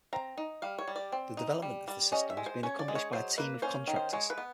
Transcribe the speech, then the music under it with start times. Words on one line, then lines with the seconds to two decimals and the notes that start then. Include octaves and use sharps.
The development of the system was being accomplished by a team of contractors.
0.13 C4 A#5
0.38 D#4
0.62 G3 F5
0.78 C#5
0.88 G3
0.96 D5
1.12 C4
1.37 D#4
1.62 G3
1.88 G3
2.12 C#4 D#5
2.30 E5
2.37 G#3
2.46 C5
2.63 C#4 C#5
2.79 D5
2.88 G#3
2.95 C#5
3.13 F#3 C5
3.38 A#3 B4
3.62 C#4 C5
3.87 D#3
3.96 C5
4.13 G#3 C#5
4.30 B4
4.38 B3